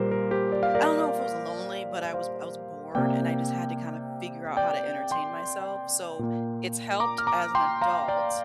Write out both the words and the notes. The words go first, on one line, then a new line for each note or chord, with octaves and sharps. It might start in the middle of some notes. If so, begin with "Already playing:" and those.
I don't know if it was lonely, but I was I was bored, and I just had to kinda figure out how to entertain myself, so, it's helped as an adult,
Already playing: A#2 G3 A#3 G4 A#4 C5
A#4
G4 C5
D5
F5
A#4 D5
C5 F5
C3 A#3 D5 G5
D5 G5
G5 C6
A#2 A#3
A#5 D6
F6
A#5 D6
G5 C6
F5 A#5
D5 G5